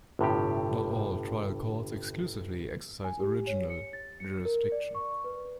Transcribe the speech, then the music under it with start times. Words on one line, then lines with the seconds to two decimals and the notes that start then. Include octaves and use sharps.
Not all "trial courts" exclusively exercise original jurisdiction.
0.19 G1 A2 C3 G4
3.04 G#5
3.20 G4
3.47 C#5
3.70 C#7
3.93 A6
4.20 C#7
4.45 A#4
4.72 D5
4.95 C#6
5.24 B4